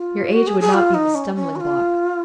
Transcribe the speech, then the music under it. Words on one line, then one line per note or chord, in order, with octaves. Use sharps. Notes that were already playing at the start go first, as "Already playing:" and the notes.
"Your age would not be the stumbling block."
Already playing: F4
F#4
G#4
G#4
F4
D#4
C#4
C#4
F#4
F4